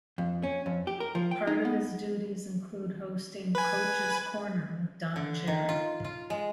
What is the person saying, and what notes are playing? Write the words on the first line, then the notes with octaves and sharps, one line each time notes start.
Part of his duties include hosting "Coach's Corner" with Don Cherry.
F2
C#4
F2
G4
A#4
F3
G5
D#4
B3
B4 G#5
D3
D#3
F4
F4
G#3